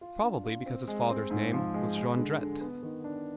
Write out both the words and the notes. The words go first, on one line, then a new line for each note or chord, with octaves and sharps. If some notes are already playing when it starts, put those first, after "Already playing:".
Probably because his father's name was Jondrette.
F4
D4
F4
C4
G#3
C4
G#2
F3
G#3
G#3
D3
D3
B3
D#3
D4